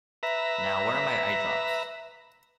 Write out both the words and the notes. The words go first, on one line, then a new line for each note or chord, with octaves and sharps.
Now, where are my eyedrops?
B4 E5 A#5